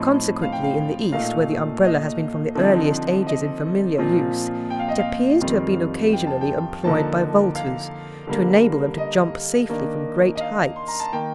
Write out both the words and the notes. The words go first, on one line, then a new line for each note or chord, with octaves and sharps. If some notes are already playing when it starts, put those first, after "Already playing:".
Consequently, in the East, where the Umbrella has been from the earliest ages in familiar use, it appears to have been occasionally employed by vaulters, to enable them to jump safely from great heights.
Already playing: A2 F3 C4 D#4 C6
F5
G5
F5
A#2 A3 D#4 F5
D#5
D3 F3 C4 D#4
D#5
A#2 F3 C4 F4
G5
F5
D#5
F5
F2 D#3 G3 C4 F4
G5
A5
G5
D3 F3 A#3 D#4 A5
F5
D3 G3 A#3
D#5
D#3 A#3 D4
D#5
F5
C6
A#5
A5
D#3 A#3 G5